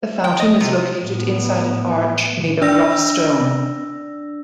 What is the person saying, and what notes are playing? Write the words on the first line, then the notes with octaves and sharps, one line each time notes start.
The fountain is located inside an arch made of rough stone.
G5
D#5
C3
A2 B3
D4 D5 E6 A#6